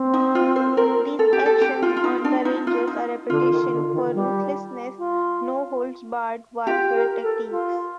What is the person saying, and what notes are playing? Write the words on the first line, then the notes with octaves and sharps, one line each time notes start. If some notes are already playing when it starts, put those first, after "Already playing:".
These actions earned the Rangers a reputation for ruthlessness no holds barred warfare tactics.
Already playing: C4
D#4
F4
C5
A#4
A4
G4
A4
G4
F4
F4
D#4
D4
D#4
F4
D#4
D3 F4
D#3
D3
D#3
G3
F4
F4 G4
A#4
A4
F4